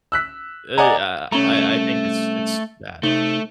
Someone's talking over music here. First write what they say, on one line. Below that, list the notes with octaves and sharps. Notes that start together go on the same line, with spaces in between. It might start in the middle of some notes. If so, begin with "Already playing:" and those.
Eh, uh, I I think it's it's bad.
E6 F#6 B6
D5 D#5 F#5 G#5 A#5
C2 A3 C#4 A#5
C3 A3 D#4